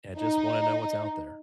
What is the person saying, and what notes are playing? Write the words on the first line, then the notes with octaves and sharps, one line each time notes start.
and just wanna know what's out there,
D#4